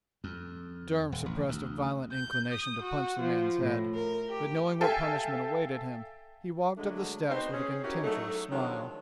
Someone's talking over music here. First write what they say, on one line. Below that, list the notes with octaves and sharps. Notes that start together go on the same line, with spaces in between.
Durham suppressed a violent inclination to punch the man's head, but, knowing what punishment awaited him, he walked up the steps with a contemptuous smile.
F2
D#1
A1
D2
G6
D#6
F#4
F3
A2
A#4
G4
A4 E5 F5 G5 G#5
D3 F#3 G#3 A3 D4
B3 C4 D#4 F#4 C5
C#4 G#4
C#4 D#4 E4 F#4 G4 A#4
F#3 A3 D#4
D#3 F3 F#3 G#3 C#4 D4